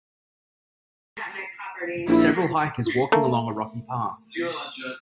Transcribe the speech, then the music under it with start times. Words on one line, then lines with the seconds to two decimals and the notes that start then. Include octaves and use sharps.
Several hikers walking along a rocky path.
2.08 A#1 E4
3.12 A3 A#3